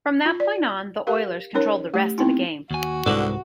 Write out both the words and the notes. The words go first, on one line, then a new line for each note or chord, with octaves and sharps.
From that point on, the Oilers controlled the rest of the game.
F4
D5
G4 A#4 F5
C#4 D#4 A#4 C#5
A3 G4
B3 C4 D#4 E4
D#2 F#4 G#5
C2 F2 G#2 D3 G#3 E4 B4